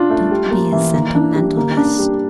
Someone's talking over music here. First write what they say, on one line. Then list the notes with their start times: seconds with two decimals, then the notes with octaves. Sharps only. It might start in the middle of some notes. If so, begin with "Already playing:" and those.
Don't be a sentimentalist.
Already playing: D4 F4
0.10 A3
0.31 G3
0.51 A#3
0.72 E3
0.94 A#3
1.15 D4
1.35 G3
1.57 A#3
1.77 D4
1.99 G3